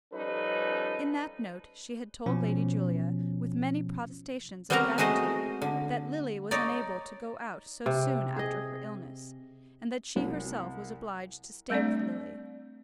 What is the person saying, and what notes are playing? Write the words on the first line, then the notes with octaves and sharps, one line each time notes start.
In that note she had told Lady Julia, with many protestations of gratitude, that Lily was unable to go out so soon after her illness, and that she herself was obliged to stay with Lily.
F3 G3 C#4 D#4 A4 B4
B2 F3 C#4
G3 B3 C4 F#4 A#4 A#5
G#3 A3 F#4 C5 D#5
D3
D#4 C#5 D5
C3
G#4 D#5
C2
G3 A3 C4 D4 D5